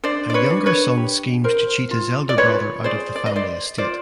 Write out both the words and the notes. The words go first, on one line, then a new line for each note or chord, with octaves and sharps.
A younger son schemes to cheat his elder brother out of the family estate.
D4 C5 D5
D5
B4 C#5
D4
B4 C#5
G4
A#4 C5
F4
D5
F4 B4 C#5
G#4 C5 D5
D5
D#5
B4
C5 D5
F4 C5 D5